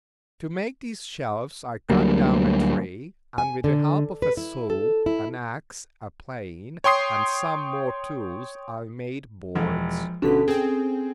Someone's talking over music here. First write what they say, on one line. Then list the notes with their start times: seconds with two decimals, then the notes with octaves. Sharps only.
To make these shelves I cut down a tree, and with the help of a saw, an axe, a plane, and some more tools, I made boards.
1.90 D2 F#3 G3 A#3
3.38 G#5
3.64 D3
4.22 B4
4.37 E4
4.70 A4
5.06 E4
6.84 C#5 G5 C6 D#6 C7
9.55 E1 F3
10.22 G1 B2 D3 C#4 A4 B6
10.48 C4 G#4 G5